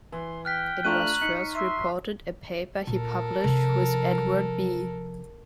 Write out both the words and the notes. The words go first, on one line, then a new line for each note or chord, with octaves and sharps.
It was first reported a paper he published, with Edward B.
E3 C6
G5 F6 F#6 B6
A3 D4 F4 A#5 C#6 F#6 D#7
D#4 B6 C#7
E5 C6
A#2 A4 A#4
C3 F3